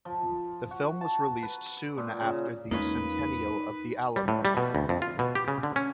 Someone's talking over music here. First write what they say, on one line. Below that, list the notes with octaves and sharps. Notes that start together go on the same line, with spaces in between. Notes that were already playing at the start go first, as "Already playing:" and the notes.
The film was released soon after the centennial of the Alamo.
F3
F#4
A5
B4
A#2
C#3
E2 G#3 A#3 C#4 D#4 F4 B4 C#5
G3
A2
G3
B2
D2
F2
F4
B2
G4
C#3
D3
C#4